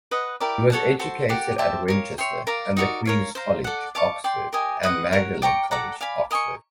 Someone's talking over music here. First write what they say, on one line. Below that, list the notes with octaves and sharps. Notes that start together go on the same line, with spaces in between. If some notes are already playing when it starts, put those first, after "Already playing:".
He was educated at Winchester and at Queen's College, Oxford, and Magdalen College, Oxford.
B4 D#5 F#5
E4 G4 A#4 D5
A4 C#5 F#5 A5
F#4 A4 C5
G4 A#4 D5 F#5
G4 C5 E5 A5
A#4 C#5 F5
C#5 E5 G5 C6
A#4 D5 F5 A#5
D#4 F#4 A#4 D5
A#4 C#5 F5
C5 F5 A#5
A4 D5 F#5
D5 F5 A5 C#6
D5 G5 C6
G4 A#4 D#5 G#5
B4 D#5 F#5
A#4 C#5 F#5
D5 G5 A#5 C#6
A4 D5 F#5 A#5
D5 F5 G#5 B5
A#4 D#5 G#5 C#6